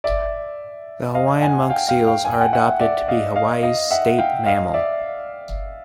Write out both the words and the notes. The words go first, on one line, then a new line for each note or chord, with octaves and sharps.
The Hawaiian monk seals are adopted to be Hawaii's state mammal.
D5 E5
D#5 F5
F#5 G#5
F5 G5
F5 G5
F5 G5
G#5
G5
F#5 G#5
E5 F#5
D5 E5
D#5 F5
D#5 F5
D#5 F5
E5 F#5
F5 G5
D#5 F5
D5 E5